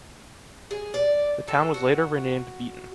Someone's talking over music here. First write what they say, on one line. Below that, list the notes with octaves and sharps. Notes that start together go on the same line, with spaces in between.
The town was later renamed Beeton.
G#4
D5
A4
F#4